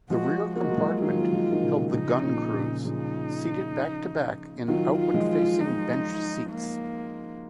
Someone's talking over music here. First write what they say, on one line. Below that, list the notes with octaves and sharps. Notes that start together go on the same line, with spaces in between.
The rear compartment held the gun crews, seated back-to-back in outward-facing bench seats.
F3 G#3 F#4
A#3 F#4
G#3
F#3
F3 G#3
D#3 F#3 F4
A#3
F3 G#3
D#3
A#2 C#3
C#3 F3 D#4
A#2 C#3
A#2 C#3
C#3 F3 D#4
D#3 F#3 F4
F4
F3 G#3
F4
D#4
A#3